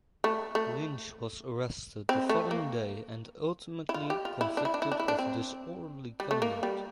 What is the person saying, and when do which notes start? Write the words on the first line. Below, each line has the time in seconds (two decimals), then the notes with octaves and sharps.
Lynch was arrested the following day and ultimately convicted of disorderly conduct.
0.24 A3
0.55 A3
2.09 C4
2.29 A3
2.51 A#3
3.89 E4
3.94 F4
4.10 G4
4.25 F4
4.41 E4
4.57 D4
4.65 E4
4.74 D4
4.82 E4
4.92 D4
5.00 E4
5.08 D4
5.19 C4
6.20 G3
6.31 A3
6.42 A#3
6.63 G3